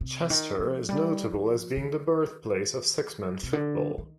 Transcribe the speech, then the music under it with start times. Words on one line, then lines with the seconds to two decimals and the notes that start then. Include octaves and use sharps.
Chester is notable as being the birthplace of six-man football.
0.01 C3
0.30 D#3
0.59 F3
0.89 G3
1.33 F3
1.77 D#3
3.43 C3
3.53 D3
3.98 D#3